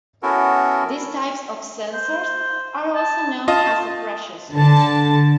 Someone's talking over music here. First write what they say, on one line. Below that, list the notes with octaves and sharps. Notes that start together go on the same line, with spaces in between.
These types of sensors are also known as a pressure switch.
B3 C#4 E4 F#4 A4 A#4
C5
A5
F4 D#5 A5
D3 A5